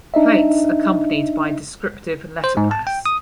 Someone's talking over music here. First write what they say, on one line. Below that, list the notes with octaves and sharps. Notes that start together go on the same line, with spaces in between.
Plates accompanied by descriptive letterpress.
D4 D#4 D#5 E5
C5
G#2
A5
G5
D#6